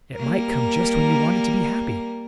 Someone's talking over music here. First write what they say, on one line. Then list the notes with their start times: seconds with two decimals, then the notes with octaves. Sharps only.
"It might come just when you wanted to be happy!"
0.17 G3 A#3 A#4